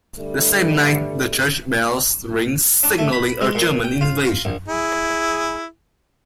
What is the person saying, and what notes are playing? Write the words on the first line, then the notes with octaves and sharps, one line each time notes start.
The same night the church bells ring signalling a German invasion.
G2 D3 G3 A3
D4
A3
B5
G#3
A#2
G5
F4
A#1
E4 G#4